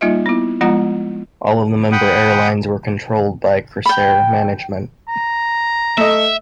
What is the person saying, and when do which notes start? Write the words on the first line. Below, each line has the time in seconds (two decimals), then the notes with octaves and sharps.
All of the member airlines were controlled by Krasair management.
0.01 G3 A#3 D#4 F4 D#5 E5
0.26 B3 E4
0.61 F3 G#3 B3 F4 F#5 A#5
1.92 F#5 G5 B5 D#6
3.85 G5 B5
5.08 A#5
5.98 A3 D#5 E5